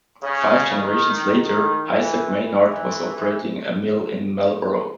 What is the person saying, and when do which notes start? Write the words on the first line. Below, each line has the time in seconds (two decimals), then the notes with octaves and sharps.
Five generations later, Isaac Maynard was operating a mill in Marlborough.
0.22 C#3
0.78 D#3
1.33 D#3
1.88 E3
2.44 E3